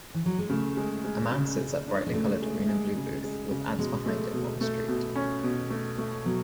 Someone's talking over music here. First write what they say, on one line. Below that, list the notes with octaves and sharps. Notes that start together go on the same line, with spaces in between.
A man sits at brightly colored green and blue booth with ads behind him on the street.
E3
F#3
G#3
C#3 A3
G#3
G#3
C#3
C#3
D4
G#3
C#3 A3
G#3
G#3
C#3
G#3
C#3
B2 G#3
A3
B2
A3
B2
C#4
B2
A3
A3
B2 F#3